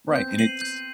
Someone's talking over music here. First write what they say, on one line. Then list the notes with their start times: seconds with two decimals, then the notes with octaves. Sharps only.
Right, and it's
0.09 B3
0.15 C4 G6
0.38 C7 D#7 F#7
0.61 G6